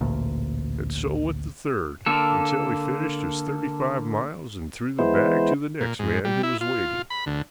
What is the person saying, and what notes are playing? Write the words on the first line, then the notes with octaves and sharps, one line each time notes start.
And so with the third, until he finished his thirty-five miles and threw the bag to the next man, who was waiting.
A1 D2 A#2
D3 A#3 A4
E3 G#3 B3 E4 C5
A#2
G#2
G3
E4
F4
B5
D2